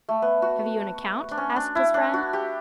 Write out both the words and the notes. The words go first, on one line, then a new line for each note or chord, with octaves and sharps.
"Have you an account?" asked his friend.
A3
B3
F#4
D4
C#4
D4
E4
D4
F#4
G4